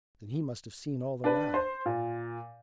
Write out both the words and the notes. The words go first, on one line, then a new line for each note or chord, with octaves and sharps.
"Then he must have seen all the row."
D4 B4
C5
A#2